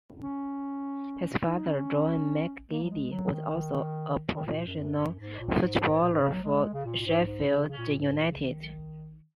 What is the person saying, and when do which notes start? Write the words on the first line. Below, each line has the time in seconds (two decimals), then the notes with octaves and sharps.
His father, John McGeady, was also a professional footballer for Sheffield United.
0.22 C#4
1.45 D#4
1.66 C#4
2.70 A#3
2.83 F#3
2.90 G#3
3.11 F#3
3.32 D#3
4.35 D#3
4.46 A#2
4.56 A#2
4.66 F#2
4.77 F#2
4.98 F#2
5.19 G#2
5.39 A#2
5.60 G#2
6.02 A#2
6.12 G#2
6.22 C#3
6.32 F#3
6.43 G#3
6.73 C#3
6.85 A#2
7.00 A#2
7.05 G#2
7.26 G#2
7.47 C#3
7.67 C#3
7.78 A#2
7.88 A#2
7.98 G#2
8.09 G#2
8.19 A#2
8.30 C#3
8.40 D#3